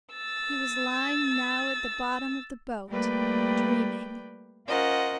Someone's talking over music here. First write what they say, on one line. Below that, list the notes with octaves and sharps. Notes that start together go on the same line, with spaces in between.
He was lying now at the bottom of the boat, dreaming.
E6 A6
G3 A3 A#3 B4 D5 G5
C#4 F4 A#4 C5 D#5 F#5